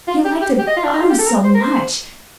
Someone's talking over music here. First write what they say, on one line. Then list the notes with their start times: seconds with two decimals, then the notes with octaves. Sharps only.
He liked them,--oh, so much!
0.08 F4
0.25 G4
0.42 G4
0.59 G4
0.67 D#5
0.76 F4
0.84 D4
0.93 D#4
1.01 F4
1.10 G4
1.19 A4
1.27 A#4
1.44 C5
1.55 A#4
1.61 C5